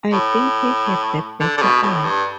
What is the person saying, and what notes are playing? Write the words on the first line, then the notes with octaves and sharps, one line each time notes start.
I think he had the better eye.
A2
D3
D3
B2
A2
G2